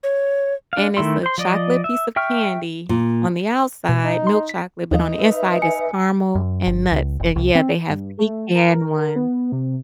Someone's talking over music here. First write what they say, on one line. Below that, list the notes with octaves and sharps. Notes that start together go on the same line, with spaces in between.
and it's a chocolate piece of candy on the outside, milk chocolate, but on the inside, it's caramel and nuts, and, yeah, they have pecan one.
C#5
D4 F5
D#3 A3 E4 C6
C5 C6
F3 D5 D#5
E5
E5 G5 C#6 F6
A#2
B2
D#4
C6
B6
D#2 F3 D#4
B4 E5
G#5 C#7
F#2
G1
C#2
F1
C2
C4
G2
A3
A#4
B3
C3